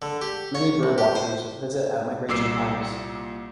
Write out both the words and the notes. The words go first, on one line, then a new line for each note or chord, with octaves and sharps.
Many Bird watchers visit at migration times.
D3
G4
C#5
C2
G4
C5
C2 A#2 D6 E6 C7